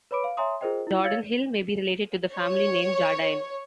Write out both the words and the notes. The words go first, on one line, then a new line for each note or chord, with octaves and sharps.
Jordanhill may be related to the family name "Jardine".
B4 C#5 B5 D6 D7
F5
C#5 E5 G#5 A#5 C6 D#6
F4 G#4 A#4 C5 D#5 G5
E4 F4
C#5 F5 E6 G#6 A6 C#7
C#5